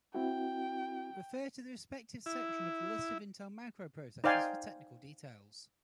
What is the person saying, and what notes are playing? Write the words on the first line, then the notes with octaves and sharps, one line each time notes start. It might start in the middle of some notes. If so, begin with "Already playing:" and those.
Refer to the respective section of the list of Intel microprocessors for technical details.
C4 E4 F#4 G5
E4
D#4 C5 D5 F5 G5 G#5